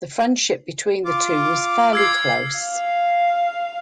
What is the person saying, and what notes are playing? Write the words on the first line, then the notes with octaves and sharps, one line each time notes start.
The friendship between the two was fairly close.
F4 D6
E6 G#6 C7
F5